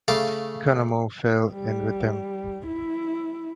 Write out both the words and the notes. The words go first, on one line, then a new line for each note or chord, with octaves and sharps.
Economou fell in with them.
C#3 A3 F5 A5 D6
G3
E4